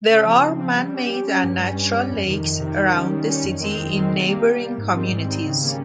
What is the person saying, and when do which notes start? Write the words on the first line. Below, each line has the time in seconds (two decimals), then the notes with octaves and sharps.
There are man-made and natural lakes around the city in neighbouring communities.
0.09 C#3
0.25 F3 C4
0.42 C#3
0.59 F3 C4
0.76 G3
0.92 C#4 G4
1.09 G3
1.26 C#4 G4
1.43 G2
1.59 G3 C#4
1.75 G2
1.92 G3 C#4
2.10 F2
2.26 C3 D#3
2.43 F2
2.59 C3 D#3
2.77 D#3
2.93 G3 C#4
3.10 D#3
3.27 G3 C#4
3.43 F2
3.60 D#3 G#3 C4
3.77 F2
3.94 D#3 G#3 C4
4.11 C3
4.27 G3 A#3
4.44 C3
4.61 G3 A#3
4.78 G#2
4.94 D#3 G3 C4
5.11 G#2
5.28 D#3 G3 C4
5.45 C#3
5.61 G3 A#3 C#4